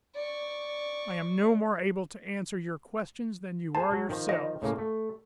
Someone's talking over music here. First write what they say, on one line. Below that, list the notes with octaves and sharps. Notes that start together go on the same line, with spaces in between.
I am no more able to answer your questions than you are yourselves.
D5 C#6
G#4 C5 A5
F#3
D#3 F3
D#5
A2 C#3 A#3
A3